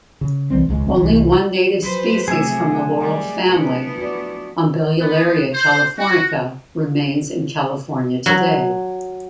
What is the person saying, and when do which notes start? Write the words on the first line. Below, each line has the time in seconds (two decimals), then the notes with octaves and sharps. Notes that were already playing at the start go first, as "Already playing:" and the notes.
Only one native species from the laurel family, "Umbellularia californica", remains in California today.
0.21 C#3
0.50 C2 E3 G3 C4
0.67 D#1 C#2 D3 G#3
0.86 E1 F2
0.99 C2 E3
1.82 F3 F#3 G#4 B4 C5
2.28 C3 F3 A3 G#4 E5
2.70 A3 D#4 F#5
3.00 G3
3.49 E3 B3 D4 F4 B4
3.98 F#4 D5
5.00 B3
5.54 C5
5.98 F#4
8.26 F#3